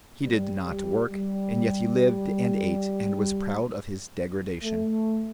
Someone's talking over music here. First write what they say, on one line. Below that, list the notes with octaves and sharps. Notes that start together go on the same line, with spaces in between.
He did not work, and yet he lived and ate and was proud of his degradation.
G3
G3
G3
A3